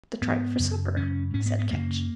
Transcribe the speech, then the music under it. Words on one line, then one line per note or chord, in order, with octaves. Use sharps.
"The tripe for supper," said Ketch.
G#2 B3
F#2 C#3
F#2 C#3 C#4
G#2 C#4
B3
B3
F#2 C#3 A#3